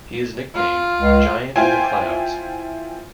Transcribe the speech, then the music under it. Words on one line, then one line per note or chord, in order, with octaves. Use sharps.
He is nicknamed "Giant in the Clouds".
F4
C#2
E4 F4 C5 G5 G#5